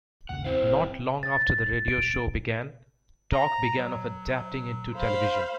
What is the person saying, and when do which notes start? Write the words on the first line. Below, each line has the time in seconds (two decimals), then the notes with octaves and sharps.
Not long after the radio show began, talk began of adapting it to television.
0.29 G#1 D#2 C#3 F#5
0.45 C4 E4 C5 F5
0.59 G1
1.23 A6
1.88 D7
3.32 A#5
3.77 F#3
4.97 C5 F5 B5